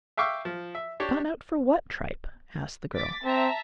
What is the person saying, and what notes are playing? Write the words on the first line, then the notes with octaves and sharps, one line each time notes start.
"Gone out for what tripe?" asked the girl.
E5 F5 G5 C#6 D6 E6
F3
E5
D4 G4 C#5
D6 A6 B6
C4 E5 A5 A#5